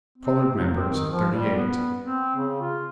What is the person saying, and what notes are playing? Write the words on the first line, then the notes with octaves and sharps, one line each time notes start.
Colored members, thirty-eight.
C4
F#3
C4
D#3
F3
G3
B3
C4
C#3
F4